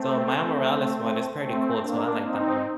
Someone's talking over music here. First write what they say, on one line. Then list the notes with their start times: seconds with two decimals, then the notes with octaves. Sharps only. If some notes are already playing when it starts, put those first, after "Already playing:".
So Mile Morales one is pretty cool too, I like that one
Already playing: A3 C4
1.39 A3 C4
1.80 A#3 D4
2.22 C4 D#4